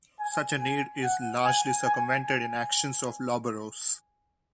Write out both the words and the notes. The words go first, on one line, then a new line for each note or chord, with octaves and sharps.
Such a need is largely circumvented in actions of lawburrows.
G#5
G#5
F#5
G#5
G#5
G#5